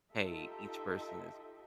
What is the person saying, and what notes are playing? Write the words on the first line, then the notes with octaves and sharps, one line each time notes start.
hey, each person is
D#4 F4 G4 A4 D#5 E5